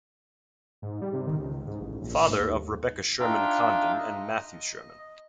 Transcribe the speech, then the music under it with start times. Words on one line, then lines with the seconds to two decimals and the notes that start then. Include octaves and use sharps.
Father of Rebekah Sherman Condon and Matthew Sherman.
0.82 G#2
1.01 G3
1.13 C3
1.27 D#3
1.39 C#2
1.66 G#2
1.81 A1
2.01 A#1
2.27 G#2
2.39 D#2
3.20 D4 D#4 F4 E5 F5 G5
3.99 D#5